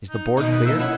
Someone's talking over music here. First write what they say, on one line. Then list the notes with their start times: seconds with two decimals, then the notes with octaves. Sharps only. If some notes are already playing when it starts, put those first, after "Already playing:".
"Is the board cleared?"
0.10 D#4
0.37 B2 D#3 D#4 D#5
0.52 B4
0.66 A#2 D#3 D#4 E6
0.80 C#4 E4 F#5